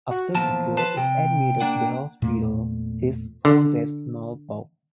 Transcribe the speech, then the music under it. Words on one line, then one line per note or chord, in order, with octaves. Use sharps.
After the girl is admitted to the hospital, she is found to have smallpox.
F#4
E2 A#2 F3 A5
B4 C5 A5
C3 G5
A#3 D4 F#5
E2 A#2 A3 A#3
D3